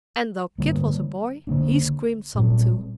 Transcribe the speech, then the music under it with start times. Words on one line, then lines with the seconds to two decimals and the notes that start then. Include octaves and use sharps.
And, though Kit was a boy, he screamed some too.
0.58 D3 G3 A#3
1.47 D3 A#3 D4
2.35 A#2 G3 C4